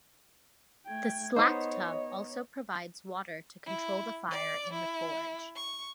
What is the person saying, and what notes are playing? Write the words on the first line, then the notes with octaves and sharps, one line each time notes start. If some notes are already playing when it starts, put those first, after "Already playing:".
The slack tub also provides water to control the fire in the forge.
A3 G5 G#6
B3 D#4 C5 C#5 D#5
E4
D5
E4
C#6